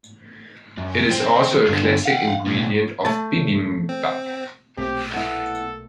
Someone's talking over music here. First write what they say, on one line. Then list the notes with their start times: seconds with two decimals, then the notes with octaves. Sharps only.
It is also a classic ingredient of bibimbap.
0.77 F#2
1.10 C4
1.68 G2 D3
2.05 F5 F#5
2.46 B1 A2
3.05 A3 A5
3.89 C4
4.77 B1 A#2 A3 C4 G4
5.14 B3 E4 A4 F#5